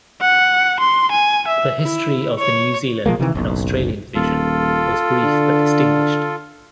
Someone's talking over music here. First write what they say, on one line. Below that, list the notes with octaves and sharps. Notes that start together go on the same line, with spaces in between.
The history of the New Zealand and Australian Division was brief but distinguished.
F#5
C6
G#5
E5
E4
C#5
B2 F3 G#3 A#3
C3 D#3 E3
F#1 B1
D#1 F4 A4
D3